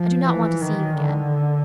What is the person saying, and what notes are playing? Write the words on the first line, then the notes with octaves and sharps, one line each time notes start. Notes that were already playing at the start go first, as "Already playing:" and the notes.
I do not want to see you again.
Already playing: F3
E3
D#3
D3